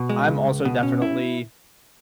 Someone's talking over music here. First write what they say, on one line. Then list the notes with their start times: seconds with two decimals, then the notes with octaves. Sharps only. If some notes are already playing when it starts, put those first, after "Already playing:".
I'm also definitely
Already playing: B2
0.10 G#3
0.28 C#2
0.47 C#2
0.65 B2
0.83 C#4
1.02 E4